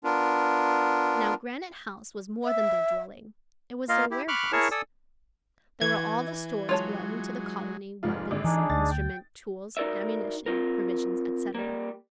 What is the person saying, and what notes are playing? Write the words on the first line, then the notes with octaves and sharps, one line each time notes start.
Now Granite House was more than their dwelling, it was their warehouse. There were all the stores belonging to the colony, weapons, instruments, tools, ammunition, provisions, etc.
B3 D4 F4 A#4
E5
A#3 F4 A#4 D#5 F5
E4 G4
B5 C#6 D6 F6 F#6
E4 G#4 A#4 C#5 A5 C#6
A4 D5 G#5 D#6 E6
E3 G#6
F#3 G#3 F4 C#5 A5
F1 G#2 F4
G#1 D3
E3 D4 D#4 G#4
D2 A6
G5
D#4 F#4 A#4 D5 E5
C4 F4 A#4
G3 A#3